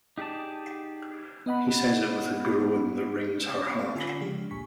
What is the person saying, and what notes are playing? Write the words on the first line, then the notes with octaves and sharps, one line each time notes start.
He says it with a groan that wrings her heart.
D#4 G4 G#4 D5 A5
B3 D#5 F#5 B5
C4 A4 F5
D3 C#4 F4 G#5 B5 E6
C#3 F3 G#3 D4 G4
G#1 D2 A#2 G#5 C#6 B6